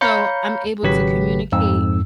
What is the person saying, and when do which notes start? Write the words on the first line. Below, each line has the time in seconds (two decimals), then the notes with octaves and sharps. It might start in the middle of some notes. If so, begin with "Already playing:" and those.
so, I'm able to communicate
0.01 C#5 F5 A#5 B5 G6 C#7
0.83 G#1 C#3 F#3 G4 B4 B6
1.52 F2 G#2 E6